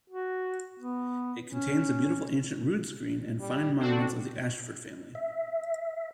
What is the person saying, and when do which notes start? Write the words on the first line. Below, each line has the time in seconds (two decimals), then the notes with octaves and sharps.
It contains a beautiful ancient rood-screen, and fine monuments of the Ayshford family.
0.10 F#4
0.79 B3
1.47 C#4
3.40 G3
3.79 D3 C4 D4 F#4
5.15 E5